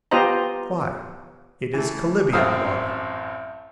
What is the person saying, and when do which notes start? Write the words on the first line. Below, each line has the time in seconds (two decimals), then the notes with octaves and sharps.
"Why, it is chalybeate water!"
0.11 B3 F4 G4 C5 D#5 A#5
1.73 E3 A3
2.33 A1 F#2 C4 F5 D#6 E6